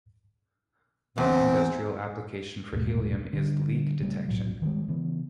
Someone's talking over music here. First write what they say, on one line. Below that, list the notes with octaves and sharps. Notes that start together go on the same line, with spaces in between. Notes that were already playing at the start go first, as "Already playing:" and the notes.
One industrial application for helium is leak detection.
E2 C4
D#1 B1 G#2 A3
D3 G3
C#3 G3 A3
B1 A2 F3 F#3
D#3 F3 G3 G#3
C#3 E3 B3